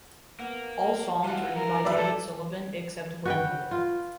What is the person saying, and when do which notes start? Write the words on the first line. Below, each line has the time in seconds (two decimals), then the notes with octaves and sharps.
All songs written by David Sylvian except where noted.
0.40 A#3 B3
1.24 E3 F4 F#4 F5 F#5
1.55 A#4
1.85 F1 F#3 D5 E5
1.97 G3 E4 A4 C5
3.25 F#4 B4 G5
3.71 F4